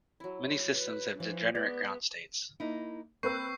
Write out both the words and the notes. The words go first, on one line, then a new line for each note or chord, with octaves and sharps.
Many systems have degenerate ground states.
F#3 E4
B4
E3 F3 D5
G#3 B3 B4 D5
A#3 D#4 E4
A#3 C4 B4 C#6 E6 G6 C7